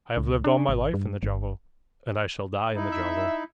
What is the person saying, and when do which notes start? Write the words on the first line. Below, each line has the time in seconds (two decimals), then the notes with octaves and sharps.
I have lived all my life in the jungle, and I shall die in the jungle.
0.17 C#2
0.44 D4
0.69 G#1
0.94 G2
1.23 G1
2.75 D#4 E4
2.92 E5